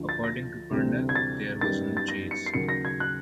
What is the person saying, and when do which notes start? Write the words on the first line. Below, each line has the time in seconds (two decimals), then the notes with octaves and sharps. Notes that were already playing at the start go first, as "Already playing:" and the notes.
According to Purnell: There was no chase.
Already playing: D2 D3 F3
0.09 A6
0.24 A#6
0.71 D2 C3 E3 G3 C4
1.09 G#6
1.15 A6
1.61 F#2 D#3 G3 B3 A6
1.97 A6
2.09 A#6
2.31 C#7
2.46 C7
2.54 D#2 C#3 F#3 C#7
2.69 A#6
2.85 G#6
3.00 F#6